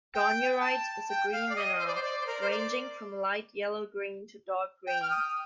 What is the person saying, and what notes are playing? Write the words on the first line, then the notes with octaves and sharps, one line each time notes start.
Garnierite is a green mineral, ranging from light yellow-green to dark green.
G5
A5
G5
F5
D5
D#5
C5
D5
C5
D5
C5
A#4
C5
D5
G5
F6
D#6